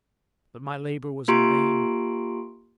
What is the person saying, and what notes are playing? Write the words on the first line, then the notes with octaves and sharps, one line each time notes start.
But my labor was in vain.
A#3 F4 G4 A#5 C6 D7